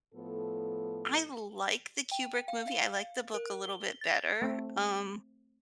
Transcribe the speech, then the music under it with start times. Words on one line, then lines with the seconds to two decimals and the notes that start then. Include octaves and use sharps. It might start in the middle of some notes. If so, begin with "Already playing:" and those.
I like the Kubrick movie, I like the book a little bit better, um
0.14 A2 F3 B3 A4
2.12 G5
2.48 F5
2.68 F5
3.34 A#4
3.65 G7
4.01 A6
4.42 A3 C4